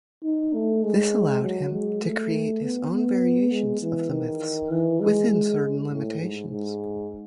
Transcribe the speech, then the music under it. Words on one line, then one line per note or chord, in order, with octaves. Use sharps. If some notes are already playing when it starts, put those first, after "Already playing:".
This allowed him to create his own variations of the myths within certain limitations.
D#4
A3
G#3
F#3
G#3
A3
B3
B3
G#3
E3
D#3
E3
G#3
G#3
A2
G#2
G#2